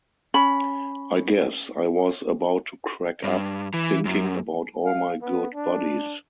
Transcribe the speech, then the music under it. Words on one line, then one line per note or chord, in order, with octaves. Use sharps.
I guess I was about to crack up thinking about all my good buddies.
C#4 B5
G2
E3
F#2
F5
B3
D4